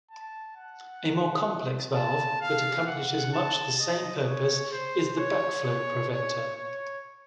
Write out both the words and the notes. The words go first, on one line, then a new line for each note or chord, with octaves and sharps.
A more complex valve that accomplishes much the same purpose is the backflow preventer.
A5
F#5
A5
F5
F#5
A5
D#5
C#5
C5
C#5
C#5
C#5
C#5